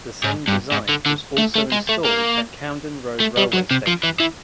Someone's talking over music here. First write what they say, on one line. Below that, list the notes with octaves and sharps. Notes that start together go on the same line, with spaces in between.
The same design was also installed at Camden Road railway station.
G#2
G2
G#2
D3
D3
A3
A3
G#3
A3
A#3
A3
G3
F#3
C3
F3
E3
E3